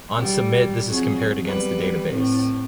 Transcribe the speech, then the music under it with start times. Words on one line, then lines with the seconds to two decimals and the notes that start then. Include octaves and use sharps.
On submit, this is compared against the database.
0.17 G3
0.87 F2 F#3 G#4
1.45 G3 B3 B4
2.09 A2 C4